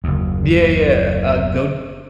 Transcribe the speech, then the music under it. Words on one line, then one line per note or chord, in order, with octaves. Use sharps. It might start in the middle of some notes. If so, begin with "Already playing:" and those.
Yeah, yeah. Uh, Goyte,
F#1 D#2